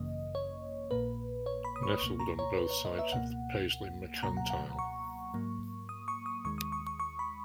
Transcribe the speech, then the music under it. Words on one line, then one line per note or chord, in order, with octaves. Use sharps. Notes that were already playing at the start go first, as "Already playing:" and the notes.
Nestled on both sides of the Paisley Mercantile.
Already playing: G#1 F#2 C#3 E3 A#3 D#5
C#5
A#1 A#2 A#3 B4
C#5
B5
D#6
C#6
C#2 B2 A#3 C#6
A#5
C#5
B4
C#5
D#5
E5
C#2 B2 A#3 F#5
C#2 B2 F#3 A#3 A#5
F#5
F#5
C#6
G#2 F#3 A#3
D#6
C#6
D#6
D#2 D#3 G#3 C#6
D#6
C#6
C#6
C#6
B5